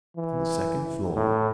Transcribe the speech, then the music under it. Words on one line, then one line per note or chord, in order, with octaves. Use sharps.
"On the second floor?"
E3
A2